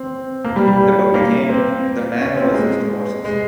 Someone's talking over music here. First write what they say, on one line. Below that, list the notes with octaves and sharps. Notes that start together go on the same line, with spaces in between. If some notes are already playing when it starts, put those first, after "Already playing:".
That book became "The Man Who Listens to Horses".
Already playing: C4
A#3
G3
G3
A#3
C4
C#4
C4
A#3
G#3
G#3